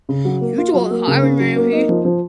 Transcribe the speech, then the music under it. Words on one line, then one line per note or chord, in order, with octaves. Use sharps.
You do all the hiring around here.
C#3
F#3
A#3
F4
F#3
A#3
C#3
C#4
F#3
A#3
D#4
F3
F3